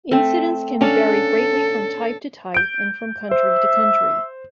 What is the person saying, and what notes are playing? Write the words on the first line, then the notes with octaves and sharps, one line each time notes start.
Incidence can vary greatly from type-to-type, and from country-to-country.
A3 C4
C#4 D4 A4 F5
G6 D7
C5 E5